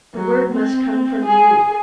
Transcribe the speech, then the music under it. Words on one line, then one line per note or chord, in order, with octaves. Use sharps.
The word must come from you.
F#3
C4
G#4